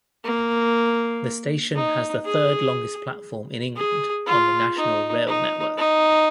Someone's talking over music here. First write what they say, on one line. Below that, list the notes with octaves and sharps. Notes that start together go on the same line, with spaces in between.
The station has the third-longest platform in England on the national rail network.
A#3
D#4
G#4
G#4
F4
D#4
D#4
D#4